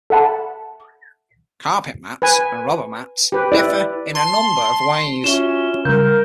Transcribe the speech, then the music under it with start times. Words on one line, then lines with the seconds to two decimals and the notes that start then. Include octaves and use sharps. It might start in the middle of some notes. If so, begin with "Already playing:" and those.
Carpet mats and rubber mats differ in a number of ways.
0.10 A4 E5 F#5 A5 B5
2.22 B4 G#5
3.32 G4 B4
3.52 E4 B4 D5
4.15 A5 C6
5.24 C#4 F4 F#4 E5 E7 G7
5.85 C#3 G3 A#4 F5 G6